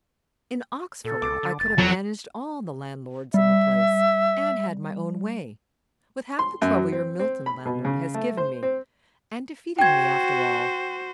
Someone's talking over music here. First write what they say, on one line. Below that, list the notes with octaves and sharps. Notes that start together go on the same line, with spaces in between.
In Oxford, I could have managed all the landlords in the place, and had my own way, with half the trouble your Milton landlord has given me, and defeated me after all.
A#2 A4
C#2 D6
D3
F1 A6
F2 F#3
G3 E5
C6
F#2
F#3
C4
C4
B5
B2
C#3
A3
C5
C4
F#4 C5 G5 G#6